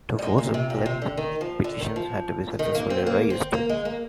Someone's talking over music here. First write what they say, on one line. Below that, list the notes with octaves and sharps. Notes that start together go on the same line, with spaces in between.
To force a ballot, petitions had to be successfully raised.
G3
G#3
A#2
C3
A#2
C3
D3
D#3
F3
D3
D#3
F3
D#3
A#3
C4
A#3
C4
A#3
G#3
A#3